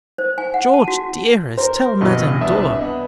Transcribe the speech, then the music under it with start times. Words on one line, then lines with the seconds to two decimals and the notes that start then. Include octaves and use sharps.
George, dearest, tell Madame Dor.
0.18 C5
0.38 G#5
0.54 F#5
0.74 A5
0.88 F#4
1.58 A#4 C5
2.01 G2 B2 E3 D#5
2.41 C2 D4 E5 D#6
2.79 B3 D#5